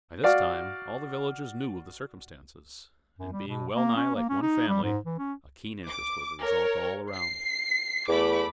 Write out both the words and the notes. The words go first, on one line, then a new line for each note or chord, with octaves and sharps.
By this time all the villagers knew of the circumstances, and being wellnigh like one family, a keen interest was the result all round.
F#4 D5 F5
F#2
G3
B2
A#3
C#4
A#3
C#4
D#4
G3
G#2
E3
C#4
D6
A#4 C#5
C7
E2 A3 B5 D6